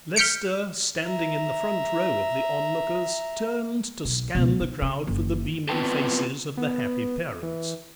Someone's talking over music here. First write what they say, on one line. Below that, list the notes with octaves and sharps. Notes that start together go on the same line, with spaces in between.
Lester, standing in the front row of the onlookers, turned to scan the crowd for the beaming faces of the happy parents.
F6 G6 B6 C#7 D7
E5 A#5
B1
C#2 B2
D#3
C#3
F#1
B3 C4 F4 B4 G5 A5
B3
E3